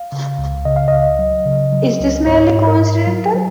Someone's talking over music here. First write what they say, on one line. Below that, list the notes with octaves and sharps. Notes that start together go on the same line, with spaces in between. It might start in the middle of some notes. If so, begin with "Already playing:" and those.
Is this merely coincidental?
Already playing: F5
C#3
C#2
C#3 D#5
F5
C#2 D#5
F#3
C#3
F#3
C#2
G#2 C#5
G#2
A#4
G#2
F#3
F#3